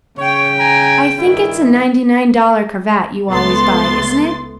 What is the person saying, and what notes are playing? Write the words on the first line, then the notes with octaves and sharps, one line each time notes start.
I think it's a ninety-nine dollar cravat you always buy, isn't it?
C#3 C#5 G5
G#5 A#5
G2 D#3 E4
C#2 A3 B3 C6 A6